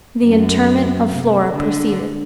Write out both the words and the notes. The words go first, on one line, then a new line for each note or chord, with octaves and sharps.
The interment of Flora proceeded....
F#2
C3
D3